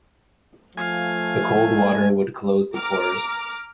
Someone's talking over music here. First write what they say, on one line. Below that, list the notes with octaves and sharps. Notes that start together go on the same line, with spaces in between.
The cold water would close the pores.
F3 A3 F5 G#5
A#5 D6 F6